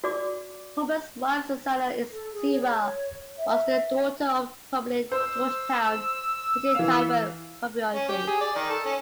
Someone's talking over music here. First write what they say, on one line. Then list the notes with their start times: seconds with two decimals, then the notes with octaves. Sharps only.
Hoban's wife Susanna Sewall was the daughter of the prominent Georgetown "City Tavern" proprietor.
0.04 F#4 D5 D6
2.11 A4
2.33 G#4
2.51 C#5
3.38 E5
5.12 C5 E6
6.75 E3 F5
7.95 C#4
8.09 G4
8.28 G#4
8.41 D5
8.56 D#3
8.70 A4
8.86 C#4